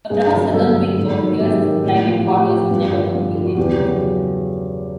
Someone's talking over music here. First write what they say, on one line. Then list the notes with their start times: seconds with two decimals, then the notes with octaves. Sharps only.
A proposed southern wing for Hearst's private quarters was never completed.
0.10 G2 G#4
0.32 D3 F#3
0.53 G2 A4
0.75 D3 F#3
0.96 G#2
1.18 D#3 F#3
1.40 G#2 G4
1.61 D#3 F#3
1.84 A2
2.06 F3
2.27 A2 G4
2.48 F3
2.70 G2
2.92 D3 F3
3.14 G2
3.35 D3 F3
3.46 F#4
3.56 E2 G4
3.79 C#3 F#3